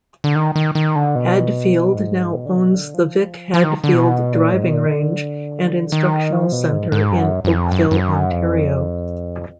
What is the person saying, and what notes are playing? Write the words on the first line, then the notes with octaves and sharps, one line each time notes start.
Hadfield now owns the Vic Hadfield Driving Range and instructional centre in Oakville, Ontario.
D3
D#3
D#3
D#3
D3
B2
G#2
B2
D3
B2
D3
F3
F3
D#3
D3
B2
A#2
G#2
B2
A#2
D#3
D3
D#3
F3
B2
G#2
G#2
F#2
F#2
F2
F#2
F#2
F2